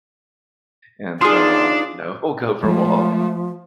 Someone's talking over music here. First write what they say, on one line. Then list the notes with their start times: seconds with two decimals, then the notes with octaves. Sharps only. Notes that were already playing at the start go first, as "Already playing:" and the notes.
And so, uh, you know, we'll go for a walk.
1.21 D4 D#4 F4 G#4 D5 C6 D#6
2.63 F3 G#3 A3